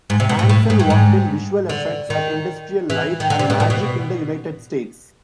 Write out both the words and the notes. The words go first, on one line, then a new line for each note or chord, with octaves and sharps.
Ansel worked in visual effects at Industrial Light and Magic in the United States.
G#2
C3
B2
A2
A2
G#2
G2
G#2
D3
D#3
E3
D#3
D3
C3
B2
A#2
B2